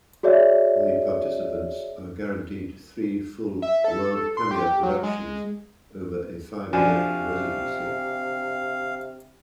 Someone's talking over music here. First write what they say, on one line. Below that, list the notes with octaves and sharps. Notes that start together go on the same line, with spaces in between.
The participants are guaranteed three full world-premiere productions over a five-year residency.
F#4 G#4 C#5 D5 E5
E5
A4
C6
G4
F#3
G#3
C3 F3 D4 F#4 F5 G#5